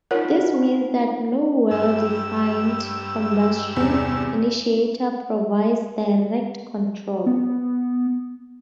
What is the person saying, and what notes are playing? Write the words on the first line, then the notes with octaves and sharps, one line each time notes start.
This means that no well-defined combustion initiator provides direct control.
D#4 F4 A#4 C#5 F#5
G2 E6
E2 C3
B3